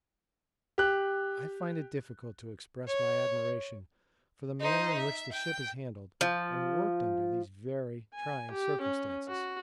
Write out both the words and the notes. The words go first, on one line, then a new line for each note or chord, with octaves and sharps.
I find it difficult to express my admiration for the manner in which the ship is handled and worked under these very trying circumstances.
G4 F#6
C#5
D#4 C5
E5
G5
F3
G#5
G4
C#4
F#4